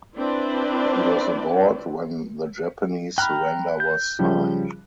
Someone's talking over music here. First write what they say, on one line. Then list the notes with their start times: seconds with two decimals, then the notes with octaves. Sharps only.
He was aboard when the Japanese surrender was signed.
0.17 C4 D4 E4 B4 C5 D5
3.18 G5 A#5 B5 F6 F#6
3.80 G6
4.19 C#3 F3 G3